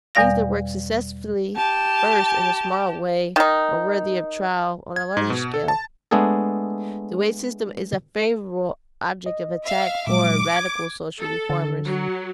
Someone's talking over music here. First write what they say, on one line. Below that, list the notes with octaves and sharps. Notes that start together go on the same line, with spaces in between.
Things that work successfully first in a small way are worthy of trial on a larger scale. The wage system is a favorite object of attack for radical social reformers.
E2 B2 G3 D5 F5 A#6
G4 A5
D#3 D#4
G#6
G#2
B2
A4
A5
G#3 A3 B3 D4 G#4 A4
D#5
E5 F5
A#2 F#3 G#3 D6
G#6
A4
D3
F#3